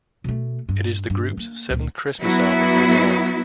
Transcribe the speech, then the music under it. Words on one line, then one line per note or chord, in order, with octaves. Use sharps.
It is the group's seventh Christmas album overall.
B2 A3
G2
G2
A#3
C#2 A#2
F#3 B3 E4 F#4